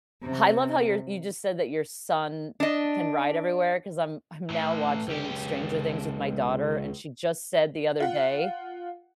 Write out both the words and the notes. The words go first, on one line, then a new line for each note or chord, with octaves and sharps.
I love how you're you just said that your son can ride everywhere, because I'm I'm now watching Stranger Things with my daughter, and she just said the other day,
C3
D4 D#5
A2 E3
C#2 G4
F4 F#5